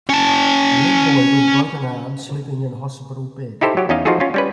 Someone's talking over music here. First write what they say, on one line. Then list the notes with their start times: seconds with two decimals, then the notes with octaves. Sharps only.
A young boy with a broken arm sleeping in a hospital bed.
0.09 C#4 A5
3.61 D#4 E4 G4 A4 C5
3.77 F#3 G4
3.89 E2 C#4 D#4 D#5 F5
4.05 F3 D#4 F4 F#4 G#4 A4
4.20 C#4 F4
4.34 G3 C#4 B4